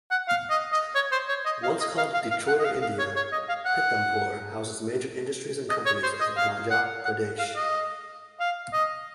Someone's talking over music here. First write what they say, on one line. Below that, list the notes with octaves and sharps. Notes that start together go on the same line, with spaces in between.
Once called, 'Detroit of India', Pithampur houses major industries and companies of Madhya Pradesh.
F#5
F5
D#5
D#5
C#5
C5
C#5
D#5
F5
D#5
F5
F5
F5
F#5
D#5
F5
F5
C#5
C#5
D#5
F5
F#5
D#5
C#5
C5
D#5
F5
F#5
F#5
F5
D#5
F5
D#5